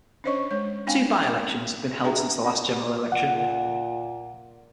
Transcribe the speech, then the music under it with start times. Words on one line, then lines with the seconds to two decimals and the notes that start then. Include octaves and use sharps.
Two byelections have been held since the last general election.
0.24 C#4 D4 C5 C#5 D#5 C#6
0.51 G#3 C#5
0.87 C4 D4 F5 G5 G#5
2.04 D4 G#4 B4 E5 G5 A#5
2.44 C4
3.12 A#2 F#5